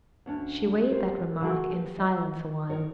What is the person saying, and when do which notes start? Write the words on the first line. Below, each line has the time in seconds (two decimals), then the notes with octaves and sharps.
She weighed that remark in silence a while.
0.26 D2 C#4 D4
0.91 G4 A#4 C5 C#5
1.41 C#3 F#3 A3 F#4 G#4 A#4
1.71 G4 B4
1.99 D#5
2.70 D#4 A#4 C#5